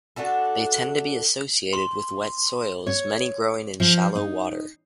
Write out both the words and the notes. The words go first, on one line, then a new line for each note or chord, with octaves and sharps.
They tend to be associated with wet soils, many growing in shallow water.
A3 D4 F#4 A4
C6
C#5
F3
D#4